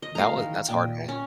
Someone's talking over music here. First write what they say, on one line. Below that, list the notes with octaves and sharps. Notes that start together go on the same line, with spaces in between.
that was that's hard, man.
D#5
F3 A3 B3 F5 A#5
D#3 E3 D#4
A#2 D#5 G5
C#4